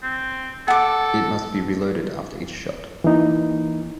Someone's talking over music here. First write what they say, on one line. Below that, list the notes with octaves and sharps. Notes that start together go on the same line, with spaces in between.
It must be reloaded after each shot.
C4
A4 F#5 D6
E3 A#3 D#4